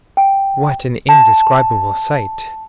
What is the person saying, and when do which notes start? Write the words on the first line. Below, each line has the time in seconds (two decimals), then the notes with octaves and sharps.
What an indescribable sight!
0.17 G5
1.09 A5